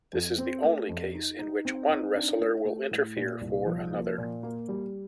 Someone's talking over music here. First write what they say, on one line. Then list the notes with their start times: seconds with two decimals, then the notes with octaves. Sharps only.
This is the only case in which one wrestler will interfere for another.
0.13 F2
0.38 C4
0.63 A3
0.89 F2
1.14 D#4
1.39 D#4
1.65 C4
1.90 D#4
2.15 D4
2.40 A3
2.65 A3
2.91 A2
3.16 A#2
3.41 C2
3.66 F3
3.91 A#3
4.18 A#2
4.43 A#3
4.68 G3